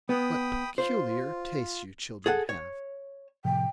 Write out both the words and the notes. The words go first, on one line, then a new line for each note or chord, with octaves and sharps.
"What peculiar tastes you children have!"
B3 G5 B5 D#6
F4 C5
G#4 A4 F#5
C#5
A2 C3 F3 G5